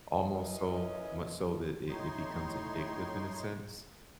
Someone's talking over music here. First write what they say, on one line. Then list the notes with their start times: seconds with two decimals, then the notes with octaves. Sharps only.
almost so much so that it it becomes addictive in a sense.
0.23 F#2 C#4 E4 B4 C#5 D#5
1.88 A2 D#4 C#5 C6